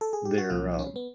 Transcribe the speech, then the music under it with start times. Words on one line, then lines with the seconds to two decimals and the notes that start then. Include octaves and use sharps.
they're um
0.01 A4
0.13 G#4
0.25 G4
0.38 F#4
0.50 C2 A#2 F3 F4
0.79 C#4
0.96 B3